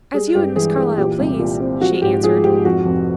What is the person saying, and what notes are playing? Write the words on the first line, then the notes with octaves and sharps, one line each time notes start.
"As you and Miss Carlyle please," she answered.
G3 G#4
G2 G4
E3 G#4
E3 G#4
A#2 G4
C2
A#2
C4
F3 F#4
G#2 G4
F3 G#4
G#2 G4
F2 F#4
F1